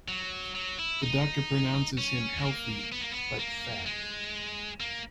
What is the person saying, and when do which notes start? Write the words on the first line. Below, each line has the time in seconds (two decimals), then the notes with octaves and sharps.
The doctor pronounces him healthy, but fat.
0.08 F#3
0.55 F#3
0.79 E4
1.02 D#4
1.98 C#4
2.37 G#3
2.45 A#3
2.92 B3
3.01 A#3
3.11 B3
3.39 A#3
3.86 G#3
4.80 A#3